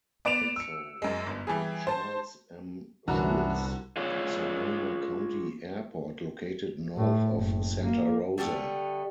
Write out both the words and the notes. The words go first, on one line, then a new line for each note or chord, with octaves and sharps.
Also the Charles M. Schulz - Sonoma County Airport located north of Santa Rosa.
B3 D5 D7 E7 F7
E6 C#7
F#2 G#3
G1
E3 G3 G#4
C5 A5
C2 F#2 D3 E3 B3 D4 F#4 A#5
F4 G#4 C#5 D5
A2
F#1
A#3
D3 G3 A3 B3